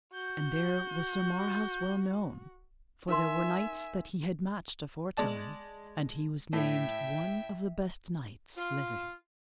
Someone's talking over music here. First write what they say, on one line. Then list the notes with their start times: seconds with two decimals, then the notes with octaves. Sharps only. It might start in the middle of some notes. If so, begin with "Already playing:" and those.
And there was Sir Marhaus well known, for there were knights that he had matched aforetime, and he was named one of the best knights living.
0.13 F#4 G6
3.09 D#4 A#4 E5 G#5 C6
5.17 G#3 D5 A5
6.53 A2 E5 G5
8.57 F4